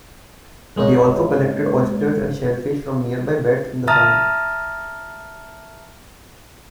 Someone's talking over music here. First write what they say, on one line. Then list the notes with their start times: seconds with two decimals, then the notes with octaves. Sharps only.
They also collected oysters and shellfish from nearby beds in the Sound.
0.76 G#2 G#3 A#3 C#4 D#4
3.88 E5 A5 A#5 D#6 F6 A6